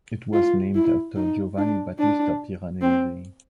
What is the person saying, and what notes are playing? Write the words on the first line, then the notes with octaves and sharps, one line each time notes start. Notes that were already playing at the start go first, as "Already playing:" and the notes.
It was named after Giovanni Battista Piranesi.
F4
E4
D#4
D4
D4
C4